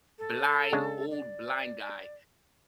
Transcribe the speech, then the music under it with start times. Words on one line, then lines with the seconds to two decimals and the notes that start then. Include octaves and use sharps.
blind old blind guy,
0.19 A4
0.72 C#3 G#3 D4
1.11 D5